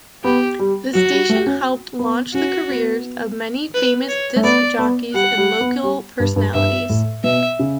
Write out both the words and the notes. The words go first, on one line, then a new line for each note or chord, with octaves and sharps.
The station helped launch the careers of many famous disc jockeys and local personalities.
B3 G4
G3
F#3 F#4
G3
A3
C#4
B3
C#4 F#4
B3
B4
C#5
A3
B3 D5
B3
G3 F#5
G3
B3
G3
G2
G2
G2 E5
A2
B2 E5
C#3